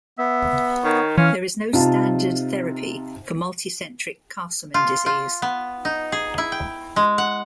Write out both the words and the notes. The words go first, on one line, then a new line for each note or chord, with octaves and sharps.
There is no standard therapy for multicentric Castleman disease.
B3 E5
D#3 C#5
E3 C#4 F5
C3 D#4 F4 A5
F4
F4
B3
D#4
G#4
E4
G5
G#3
F#5